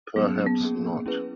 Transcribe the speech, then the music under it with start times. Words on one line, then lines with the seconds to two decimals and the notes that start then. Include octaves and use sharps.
Perhaps not.
0.16 F#3 A#3 B3 C#4 G#4
0.46 B3
0.61 F#3 A#3 C#4 G#4
1.06 C#4 E4 G#4 B4